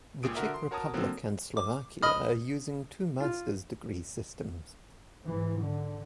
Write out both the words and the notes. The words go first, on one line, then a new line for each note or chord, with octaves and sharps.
The Czech Republic and Slovakia are using two master's degree systems.
C#2 A#2 D#6 D7
D3 F#4 A#4 E5
C6
F#4 A#4 C#5 A5 A#5 D#6
D3 F#3 A#3 C4
D6
D#5 B5 D#6 F6
F4
G#2 E3
D3